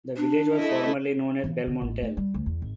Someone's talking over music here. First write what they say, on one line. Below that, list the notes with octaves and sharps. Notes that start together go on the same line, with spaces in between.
The village was formerly known as "Belmontel".
D4
A3 E4 D#5
E3
D3
A1
A3
G3
D2
E2
G#1